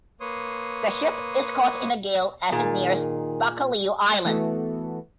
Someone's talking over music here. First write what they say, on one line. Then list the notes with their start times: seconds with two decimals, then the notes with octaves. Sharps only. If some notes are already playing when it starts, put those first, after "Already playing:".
The ship is caught in a gale as it nears Baccalieu Island.
0.20 A#3 B4 C#5 C6 D#6
2.52 A#2 D#3 G#4
4.25 E3 A3 B3 F#4 A4